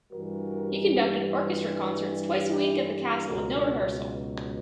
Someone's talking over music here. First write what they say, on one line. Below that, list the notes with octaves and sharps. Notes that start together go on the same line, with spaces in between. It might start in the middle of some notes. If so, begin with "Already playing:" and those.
He conducted orchestra concerts twice a week at the castle with no rehearsal.
G2 E3 G3 F#4 A#4
E4 G4
C#2 B2 F#3 F#4 A#4